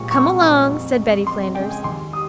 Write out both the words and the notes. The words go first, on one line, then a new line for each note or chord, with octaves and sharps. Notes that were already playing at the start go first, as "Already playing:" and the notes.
"Come along," said Betty Flanders.
Already playing: C2 A#2 F3 G#3 C#6
C2 C#6
A#2 F3 G#3
F2
C#3 G#3
F2 C6
C#3 G#3 G5
G#5
D#2 C6
G3 D#6